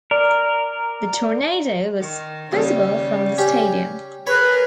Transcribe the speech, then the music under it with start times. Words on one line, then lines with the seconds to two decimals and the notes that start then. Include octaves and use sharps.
The tornado was visible from the stadium.
0.11 A#4 D5
2.01 D#3
2.53 D#2 C#3 G3
3.38 C#4 G4
4.27 G#4 A#4 B4 C#5 B5